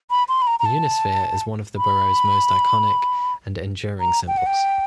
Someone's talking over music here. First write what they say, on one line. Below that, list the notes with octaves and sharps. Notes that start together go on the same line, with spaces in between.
The Unisphere is one of the borough's most iconic and enduring symbols.
B5
C6
B5
A#5
A#5
A5
B5
A#5
G5
F#5
G5